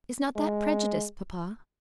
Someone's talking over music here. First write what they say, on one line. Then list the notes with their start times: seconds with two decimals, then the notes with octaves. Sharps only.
"Is not that prejudice, papa?"
0.36 G#3